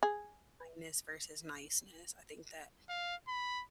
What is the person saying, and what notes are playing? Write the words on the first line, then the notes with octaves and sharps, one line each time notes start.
kindness versus niceness. I think that
G#4
F5
B5